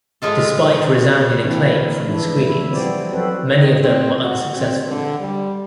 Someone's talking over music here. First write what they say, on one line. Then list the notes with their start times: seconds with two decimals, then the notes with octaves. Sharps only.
Despite resounding acclaim from the screenings, many of them were unsuccessful.
0.22 A2 G#3 F4 A4
1.43 E3 A#3 C4 D4 E4
1.70 A#4
2.07 E3 F3 D4 E4
2.38 A3 E4
2.71 F3 G3 B3 C4 C5 D5
3.12 F#3 C4 F#4 A4 B4 C5
3.52 D#3
3.80 C4
4.21 F#4
4.56 C4
4.87 D3
5.20 G3